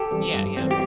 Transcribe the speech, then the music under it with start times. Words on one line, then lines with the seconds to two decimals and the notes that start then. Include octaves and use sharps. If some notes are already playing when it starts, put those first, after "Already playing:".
Yeah, yeah.
Already playing: G4 A4
0.11 E3 G3 C4
0.34 G2
0.57 E3 G3 C4
0.71 G4